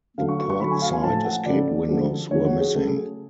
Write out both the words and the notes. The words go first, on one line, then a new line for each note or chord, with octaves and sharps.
The port-side escape windows were missing.
D3 F#3 A3 F5
C#6
C#6
C#6
D3 F#3 A3 B5
G#5
F5
G#5
A2 F3 A3 A5
F#5
C#3 F3 A3 D5
D3 F3 G#3
D3 F3 G#3 C#5
F#4
G#4
C#3 F#3 A3